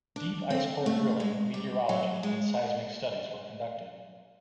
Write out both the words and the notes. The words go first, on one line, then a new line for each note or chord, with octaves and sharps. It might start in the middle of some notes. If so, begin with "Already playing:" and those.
Deep ice core drilling, meteorology and seismic studies were conducted.
D4
C4
A3
G#3
G3
F#3
G#3